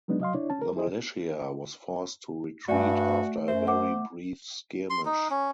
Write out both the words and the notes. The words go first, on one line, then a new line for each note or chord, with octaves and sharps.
The militia was forced to retreat after a very brief skirmish.
F#3 G#3 B3 D4 D#4
F#3 D#5 F5 C6
D4 E4 C#5 D5
C#4 A5
A#4
E4 G#4 C5 D#5
G2 A3 F#4 D5 E5 G#5
F#2 C5 E5
F#5 D6
C6
D#4
C#4